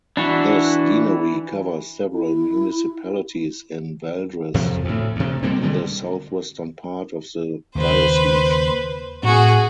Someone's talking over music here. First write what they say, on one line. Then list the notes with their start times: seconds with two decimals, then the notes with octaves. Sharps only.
This deanery covers several municipalities in Valdres in the southwestern part of the diocese.
0.17 E3 D4 F#4
2.11 E4
4.54 F2 C3 F3
4.85 D2 A2
5.16 D2 C3
5.43 B2 G3 A#3 C4
5.63 D3 G3 G#3
7.75 D#2 C#3 B4 C5
9.23 A2 C4 F#4 G#4